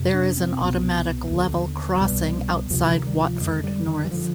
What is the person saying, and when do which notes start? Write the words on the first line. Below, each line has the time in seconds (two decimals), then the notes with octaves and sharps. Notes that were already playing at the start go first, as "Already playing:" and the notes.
There is an automatic level crossing outside Watford North.
Already playing: F2 C3
0.14 D4
0.37 C4
0.52 C4
0.60 C2 B2 B3
1.31 D#2 D3
1.96 F3
2.00 C2 B2 G3
2.70 D2 C3 F3
2.87 D3
2.94 D#3
3.07 G3
3.18 F3
3.41 F2 D3 G#3
3.64 G3
3.88 D#3
4.05 G3
4.11 D3 F3